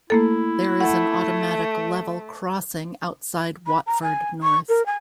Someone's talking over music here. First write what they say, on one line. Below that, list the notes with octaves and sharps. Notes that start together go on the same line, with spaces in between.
There is an automatic level crossing outside Watford North.
A3 A#3 E4 A4
A3 F#5
B5
A#5
G#5
C#6
A#4
G#5